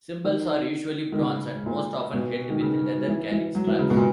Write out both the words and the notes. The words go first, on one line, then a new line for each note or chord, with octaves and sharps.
Cymbals are usually bronze and most often held with leather carrying straps.
D#3
D#3
C#3
A#2
B2
D#3
C#3
E3
E3
F#3
E3
C#3
B2
A#2